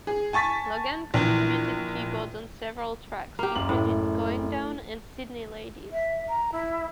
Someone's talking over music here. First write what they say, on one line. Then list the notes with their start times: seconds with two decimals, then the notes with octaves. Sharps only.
Logan contributed keyboards on several tracks, including "Goin' Down" and "Sydney Ladies".
0.07 G#4
0.33 G#5 A5 C#6 A6 B6
1.14 A#1 E3
3.39 A#3 G4
3.55 F#1 F#7
3.69 A2
5.92 E5
6.28 A#5
6.52 E4